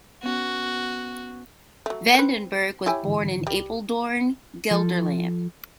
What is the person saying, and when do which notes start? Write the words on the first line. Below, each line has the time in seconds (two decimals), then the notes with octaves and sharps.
Van den Burg was born in Apeldoorn, Gelderland.
0.23 B3 C#4 F#4
1.86 F#3 A3
2.15 C4 B4
2.86 E4 G4 C#5 G#5
3.03 G#2 D3 E3
3.47 C2 G3
4.71 F3 A4